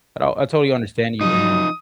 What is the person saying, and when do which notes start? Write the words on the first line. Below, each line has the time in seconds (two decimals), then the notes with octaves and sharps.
Oh, I totally understand you, and
1.21 F3 F#3 D#4 D#6